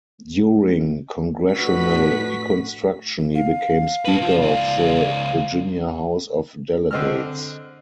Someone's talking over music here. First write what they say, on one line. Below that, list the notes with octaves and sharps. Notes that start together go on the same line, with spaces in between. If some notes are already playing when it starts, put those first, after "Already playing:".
During Congressional Reconstruction he became Speaker of the Virginia House of Delegates.
F2 A2 D4 F#4 B4 B6
F5
B4 A5
F3 F4
C#2 D5
D3 C4 D#5 E6 F6